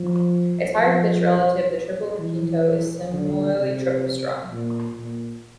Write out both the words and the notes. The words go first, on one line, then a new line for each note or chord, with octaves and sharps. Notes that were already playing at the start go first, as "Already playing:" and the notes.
Its higher-pitched relative, the tiple requinto, is similarly triple-strung.
Already playing: F3
F3
E3
D3
C3
A#2
A#2